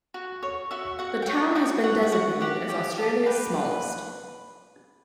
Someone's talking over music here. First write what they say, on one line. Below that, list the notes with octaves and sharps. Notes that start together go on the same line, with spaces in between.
The town has been designated as Australia's smallest.
F#4
C#5
F#4 E5
F#4 F#5
G5
C#5 F#5
F#4 G5
C#5 F#5
G5
F#4 F#5
G4 F#5
G4 G5
G4 A5
B4 G5
B4